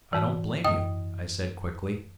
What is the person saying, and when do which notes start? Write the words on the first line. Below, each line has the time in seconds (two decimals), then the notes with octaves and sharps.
"I don't blame you," I said quickly.
0.13 G#2 E3
0.64 F#2 D#5 D#6